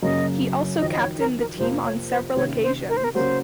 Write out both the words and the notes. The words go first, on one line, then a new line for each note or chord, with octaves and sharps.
He also captained the team on several occasions.
F#2 C#3 F#3 A#3 C#4 D#5
F2 D#3 F#3 D#5
D#5
C#5
A#4
A#4
F2 C3 F3 A#3 C5
C#5
C5
C3 D#3 A#3 C#4 C#5
C5
A#4
C5
A#4
C#3 F#3 A#3 C#4 F#4 C5